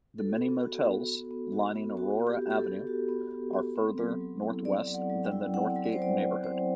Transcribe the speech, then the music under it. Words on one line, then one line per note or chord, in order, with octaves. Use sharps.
The many motels lining Aurora Avenue are further northwest than the Northgate neighborhood.
F#4 A4
B3
F#4
B3
F#4
B3
F#4
B3
F#4
B3
G4
F#4
G4
A4
B3
F#4
B3
F#4
B3
C4
F#3
F#3
E4
C4 D5
F#3
F#5
F#3
G5
E4
C4 F#5
F#3
D5
C5
F#3 D5
E4
C4 C5